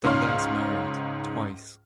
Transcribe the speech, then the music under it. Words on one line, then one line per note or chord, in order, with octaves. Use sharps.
Dundas married, twice.
C#2 G#2 C#4 F5 C6 F6